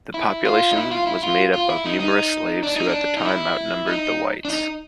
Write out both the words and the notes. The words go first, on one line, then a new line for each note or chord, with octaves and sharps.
The population was made up of numerous slaves, who at times outnumbered the whites.
E4
F4
D#4
E4
F4
E4
F4
F4
E4
D#4
D#4
D4
D#4
D4
D#4
E4
D#4
D4
D#4